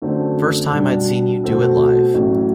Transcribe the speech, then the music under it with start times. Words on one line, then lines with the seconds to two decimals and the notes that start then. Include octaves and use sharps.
First time I'd seen you do it live.
0.02 F#2 D3 A3 C4
0.72 B2 G3 D4
1.43 B2 A3 C4 F#4 A4
2.14 A1 A2 F#3